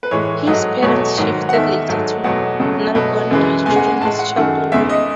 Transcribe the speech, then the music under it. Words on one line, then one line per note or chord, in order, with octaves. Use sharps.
His parents shifted later to Nalgonda during his childhood.
B4
A2 E3 G#3 C#5
G#2 F#3 A3 D#5
E2 B2 F#3 A3 C#5
G#2 D#3 F#3
F#5
E2 D#3 A3 E5
G#2 F#3 A3
E2 B2 F#3 A3 F#5
E2 C#3 F#3 A3
B2 F#3 A3
F#2 C#3 E3 G#3
E2 C#3 G#3 G#5
F#5
G#5
A2 G#3 A5
F#5
F#2 D#3 A3 F#5
E2 C#3 G#3 E5
D#5